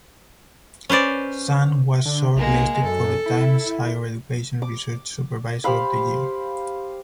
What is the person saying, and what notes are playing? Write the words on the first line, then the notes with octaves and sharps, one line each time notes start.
Sun was shortlisted for the Times Higher Education Research Supervisor of the Year.
C#4 B4 C5 D5
D3
B1 G#3 A#3
F#2 A4
E4
D6
G4 C5 F5 B5